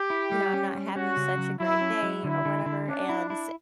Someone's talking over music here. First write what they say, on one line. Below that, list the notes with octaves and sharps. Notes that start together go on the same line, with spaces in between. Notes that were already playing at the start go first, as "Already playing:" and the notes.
you know, I'm not having such a great day or whatever and s
Already playing: G4
E4
G3
C#4
G3
C#4 F#4
C#3
F#3
F#3 E4
C#4
F#3
D3 E4
D3
D3
C#4 D4
E4
E4